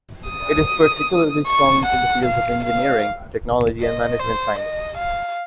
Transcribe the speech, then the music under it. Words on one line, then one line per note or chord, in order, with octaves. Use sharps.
It is particularly strong in the fields of engineering, technology and management science.
D#6
C#6
F#5
F5
F5
D#5
C5
D#5
F5